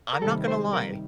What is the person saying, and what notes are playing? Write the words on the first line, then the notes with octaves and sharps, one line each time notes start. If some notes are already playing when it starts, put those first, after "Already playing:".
I'm not gonna lie,
A#4
C3 D#3 G3 A4
C5
A#4